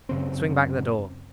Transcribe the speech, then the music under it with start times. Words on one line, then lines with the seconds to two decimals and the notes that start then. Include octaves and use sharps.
Swing back the door.
0.09 F#2 C#3 C4